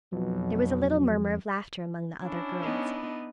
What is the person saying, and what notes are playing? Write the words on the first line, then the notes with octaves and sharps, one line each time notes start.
There was a little murmur of laughter among the other girls.
B1 F2 B2 F#3
C#4 D4 E4
B3 D#4